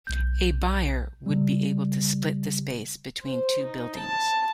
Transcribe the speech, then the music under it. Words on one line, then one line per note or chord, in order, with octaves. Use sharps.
A buyer would be able to split the space between two buildings.
B1 G6
C#3 G3
C5
D#4
A5